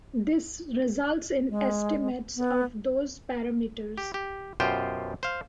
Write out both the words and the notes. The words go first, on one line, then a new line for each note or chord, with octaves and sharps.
This results in estimates of those parameters.
G#3
B3
G4
G4
F#2 B2 F4 G4 C5 G5
C5 F5